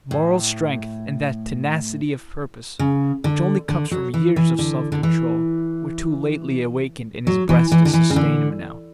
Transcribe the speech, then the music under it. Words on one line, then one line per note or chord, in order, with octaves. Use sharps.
Moral strength and that tenacity of purpose which only comes from years of self-control were too lately awakened in his breast to sustain him now.
A2
C#3
D3
D3
F#3
E3
E3
D3
D3
E3
F#3
E3
E3
D3
E3
C#3
D3